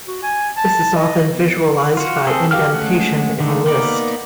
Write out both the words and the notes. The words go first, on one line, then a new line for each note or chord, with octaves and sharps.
This is often visualized by indentation in a list.
F#4
G#5
A5
D#5
B3
F4 F#4
C4 G#4 A4
F#4 G4 F5 G5 F6
G#3 A3 C#4 F#5
D3 D#3 G#3 A3
A#3 B3 D#4 D5